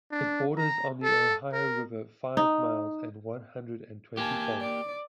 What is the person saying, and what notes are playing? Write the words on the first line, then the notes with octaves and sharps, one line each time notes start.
It borders on the Ohio River five miles and one hundred and twenty poles.
D4
A#5
A4
A#4
D#4
A#3 G4 G#5 A5
D5